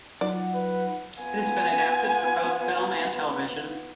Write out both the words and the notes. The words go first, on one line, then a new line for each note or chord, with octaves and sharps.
It has been adapted for both film and television.
F#3 D#4 F4 D5 F#5
B4
B3 F4 G#5